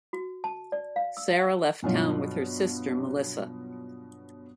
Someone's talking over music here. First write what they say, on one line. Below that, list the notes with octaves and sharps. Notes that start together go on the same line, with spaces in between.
Sarah left town with her sister, Melissa.
F#4
A5
D5
F5
E6
F5
G2 B2 F#3 F4